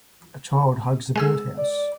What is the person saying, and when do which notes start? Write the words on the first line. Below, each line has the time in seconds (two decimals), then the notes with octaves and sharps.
A child hugs a birdhouse.
1.16 G#3 G#4 E6
1.58 D5